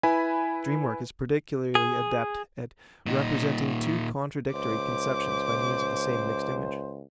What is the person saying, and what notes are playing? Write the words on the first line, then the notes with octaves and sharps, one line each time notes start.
The dream work is peculiarly adept at representing two contradictory conceptions by means of the same mixed image.
E4 B4 G#5 B5
G#4
A#2 D#4
C#2 C5 D6